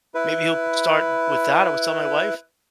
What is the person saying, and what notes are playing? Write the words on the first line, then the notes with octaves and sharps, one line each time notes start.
Maybe he'll start with that, I was telling my wife.
E4 B4